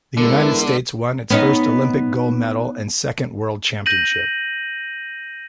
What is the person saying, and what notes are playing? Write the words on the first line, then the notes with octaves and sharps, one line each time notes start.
The United States won its first Olympic gold medal and second World Championship.
E2 D3 G#3 B3 E4 A#4
B3 C#4 D#4
G6 A#6 D#7 F#7